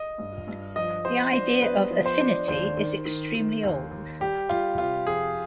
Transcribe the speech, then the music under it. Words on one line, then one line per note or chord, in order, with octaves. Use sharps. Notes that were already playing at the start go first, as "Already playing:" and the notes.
The idea of "affinity" is extremely old.
Already playing: D#5
G2
G2
F3 D#5
F3 C5
D4 C5
B3 B4
F3
C5
D4
D#2 C5
D#3
D#3
D#3
D#2
D#2
G3 G4
G3 F4
C3 F4
F2 G#4